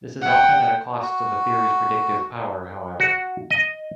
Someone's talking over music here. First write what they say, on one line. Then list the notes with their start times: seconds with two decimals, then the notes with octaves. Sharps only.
This is often at a cost to the theory's predictive power, however.
0.21 F#5 G5
1.02 F#4
3.00 F#4
3.50 D#5